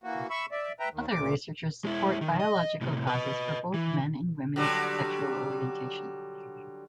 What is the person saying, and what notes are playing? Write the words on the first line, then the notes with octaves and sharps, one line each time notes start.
Other researchers support biological causes for both men and women's sexual orientation.
E3 A#3 F#4
E5 B5 C#6 E6
D5 E5
B4 E5 G5 A#5
D#2 D#3
D2 A#2 D6
G#3 E4
D#3
D#5
A2 C3
B4 D#5
E3
D3 F#3 G3